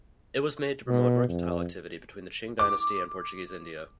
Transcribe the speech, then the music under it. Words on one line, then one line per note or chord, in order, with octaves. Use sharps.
It was made to promote mercantile activity between the Qing Dynasty and Portuguese India.
B2
F2
D6